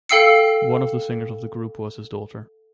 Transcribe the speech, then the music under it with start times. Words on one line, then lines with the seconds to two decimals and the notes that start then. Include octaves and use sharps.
One of the singers of the group was his daughter.
0.09 A4 F5 G5 E6 C7 C#7